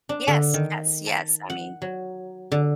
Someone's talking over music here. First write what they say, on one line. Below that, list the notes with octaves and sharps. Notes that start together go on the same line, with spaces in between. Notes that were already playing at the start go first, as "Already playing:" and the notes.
Yes, yes, yes, I mean
D4
D3
D#3
A5
F#5
F#3
D3